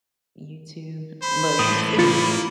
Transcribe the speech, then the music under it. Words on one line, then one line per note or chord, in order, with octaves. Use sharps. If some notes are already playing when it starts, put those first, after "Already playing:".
You too? Well, you too.
C5 B5
A2 E3 D#6
A#3 F4 A6 C#7